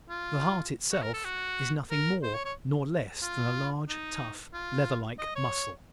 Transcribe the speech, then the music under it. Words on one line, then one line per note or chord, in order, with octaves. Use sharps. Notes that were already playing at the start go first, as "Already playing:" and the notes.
The heart itself is nothing more nor less than a large, tough, leather-like muscle.
F4
F#4
A#4
A4
F#4
A#4
C5
C#5
C#5
F4
D#4
F4
D#5
C#5